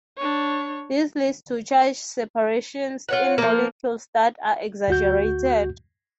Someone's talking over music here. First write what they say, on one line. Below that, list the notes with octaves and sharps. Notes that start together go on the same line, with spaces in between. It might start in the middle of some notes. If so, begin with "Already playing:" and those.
This leads to charge separations in molecules that are exaggerated.
D4 C#5
F4 C#5 F#5
F3 A#3
D2 F#4 G6